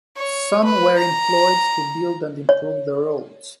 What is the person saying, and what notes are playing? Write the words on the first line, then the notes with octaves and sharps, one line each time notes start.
Some were employed to build and improve the roads.
C#5
B4
A#5
C#5